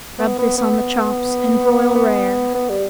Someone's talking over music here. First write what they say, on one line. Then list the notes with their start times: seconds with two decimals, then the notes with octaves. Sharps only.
Rub this on the chops and broil rare.
0.19 B3
0.38 B3
0.58 B3
1.95 B3
2.54 B3
2.69 G3